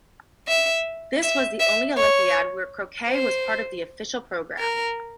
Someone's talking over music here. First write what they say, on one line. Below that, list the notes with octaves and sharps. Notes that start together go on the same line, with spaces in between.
This was the only Olympiad where croquet was part of the official programme.
E5
E5
E5
C#5
C5
A#4